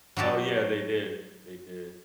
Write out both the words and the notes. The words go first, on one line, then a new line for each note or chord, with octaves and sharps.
Oh, yeah. They did, they did, if
F#3 F#4 G4 A5